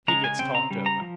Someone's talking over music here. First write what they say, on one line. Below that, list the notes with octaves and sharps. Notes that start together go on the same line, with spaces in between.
He gets talked over.
C#3 G#3 C#4 A#5
G#5
C#3 G3 C4 G5
A#5
C#3 G3
A#5
F3